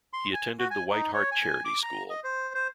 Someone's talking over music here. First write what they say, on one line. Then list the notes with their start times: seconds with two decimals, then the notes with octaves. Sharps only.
He attended the White Hart Charity School.
0.13 C6
0.34 G#5
0.59 F#4
0.71 G#5
0.91 D#4
1.14 C#5
1.32 G#5
1.65 D6
1.83 A#5
2.10 D#5
2.24 C5
2.54 C5